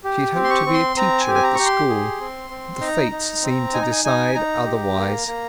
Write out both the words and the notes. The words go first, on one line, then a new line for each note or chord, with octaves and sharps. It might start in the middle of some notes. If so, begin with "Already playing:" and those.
She had hoped to be a teacher at the school, but the fates seemed to decide otherwise.
G4
C4
C6
C#6
C4
C6
C4 A#5
G#5
G4
G#5
A#5
G4 C#6
C6
G#4
C4
C4
D#4 A#5
D#4
C4
D#4 G#5
A#5
G#5
D#4 G#5
D#4 A#5
G4
A#3
A#3